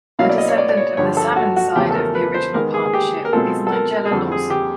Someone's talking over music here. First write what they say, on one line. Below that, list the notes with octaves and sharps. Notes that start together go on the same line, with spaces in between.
A descendant of the Salmon side of the original partnership is Nigella Lawson.
B2 F#3 A#3 C#4 E4 F5
D5
D#5
C#5
D5
D5
C#5
G2 D3 F3 C#5
A4
F#4
F#4
E2 C#3 F3 A3 C#4 G4
A4
A#4
B4
C5
D#3 G#3 B3 A#4
G#4
G#4
G4
A#4
B2 G#3 C4 F4 A4
A4
A#4
G#4
F2 D3 G3 C4 A4
G#4
G4